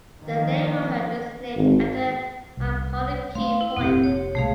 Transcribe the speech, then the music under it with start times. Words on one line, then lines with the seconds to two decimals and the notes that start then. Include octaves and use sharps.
The neighborhood is named after Makonikey point.
0.22 D#3 F3 A#3
1.56 G#1
2.57 C2
3.35 A3 F5 C6
3.61 E4
3.76 F1 A#2 C4 G4
4.03 C#5
4.35 C2 G#2 B2 A3 G#4 F5